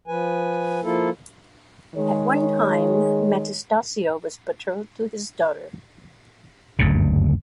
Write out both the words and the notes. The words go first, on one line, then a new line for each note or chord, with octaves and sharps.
At one time, Metastasio was betrothed to his daughter.
F3 B4 G#5
F3 A#3 E4 F4 A4
D#3 G#3 G#4 C#5
F#1 D2 G2 C#3